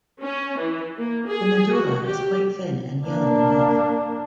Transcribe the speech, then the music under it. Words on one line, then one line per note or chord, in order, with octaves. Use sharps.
The medulla is quite thin and yellow above.
C#4
E3
A#3
G#4
F#4
G4
A#3 D4